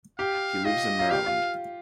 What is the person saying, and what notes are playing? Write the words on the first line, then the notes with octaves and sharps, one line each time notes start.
He lives in Maryland.
G4 F5
F4 D#5
F4
G4 F5
F4